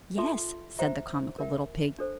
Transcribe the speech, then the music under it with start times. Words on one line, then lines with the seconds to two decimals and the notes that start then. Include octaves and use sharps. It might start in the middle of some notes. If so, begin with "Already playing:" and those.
"Yes," said the comical little pig.
0.18 F4 A4 E5 A5 C6
0.79 C5 E5 G5 A#5
1.39 A#4 E5 G5
1.99 D4 A4 C5